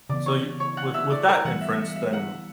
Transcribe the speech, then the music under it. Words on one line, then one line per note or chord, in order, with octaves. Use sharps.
so you with with that inference, then
C#3 E3 B3 D5 D6
C#5 C#6
C#5 C#6
F#5 F#6
E5 E6
D5 D6
A#4 A#5
E3 G3 B3 F#5
E5
E5
E5
F#5